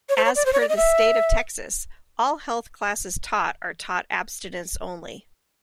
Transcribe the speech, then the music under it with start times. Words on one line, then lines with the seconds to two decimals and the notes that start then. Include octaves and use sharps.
As per the state of Texas, all health classes taught are taught abstinence only.
0.09 C#5
0.17 C5
0.25 C#5
0.36 D5
0.46 C5
0.53 C#5
0.60 D5
0.69 D#5
0.77 E5